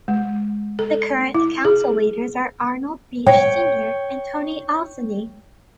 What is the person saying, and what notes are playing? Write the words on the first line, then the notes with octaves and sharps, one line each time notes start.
The current council leaders are Arnold Beach Senior and Tony Alsenay.
G#3
A4
E4
G#4
C#5 G5